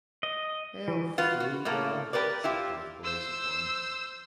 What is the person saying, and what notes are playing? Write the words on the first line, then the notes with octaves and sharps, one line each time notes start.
"Elfrida!" said both boys at once.
D#5
E3
F4 F#4 B4
F#4
A2 A3 A#3
G4 A#4 B4 D5
E4 F4 G4
C5 E6